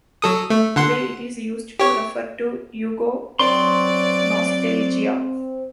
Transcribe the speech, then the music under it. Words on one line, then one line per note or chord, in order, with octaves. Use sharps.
Today it is used to refer to Yugo-nostalgia.
F#3 A4 D#6
A3
D3 F#5 C6
G4 C#5
F#3 C4 D5 C6